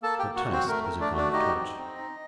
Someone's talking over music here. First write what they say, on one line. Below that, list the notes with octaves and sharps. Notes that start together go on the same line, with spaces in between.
But taste is a kind of touch.
A#3 A4 A5
G4 G5
A#3
F#4 F#5
F#4
C4 C5
A3 A#4
A#4
A3
D4 D5
F#4
D4 D5
D#4 G4 D#5
C4
C4
D#4